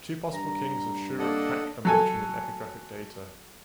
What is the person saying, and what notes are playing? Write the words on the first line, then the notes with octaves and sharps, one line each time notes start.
Two possible kings of Shuruppak are mentioned in epigraphic data.
G2 A#5
A#3 D4 A4 D#5 F#5
F#3 A4 G#5